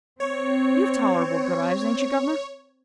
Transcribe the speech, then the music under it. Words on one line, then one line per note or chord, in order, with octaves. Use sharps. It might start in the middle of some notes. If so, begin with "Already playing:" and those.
'You've tolerable good eyes, ain't you, Governor?
C4 C#5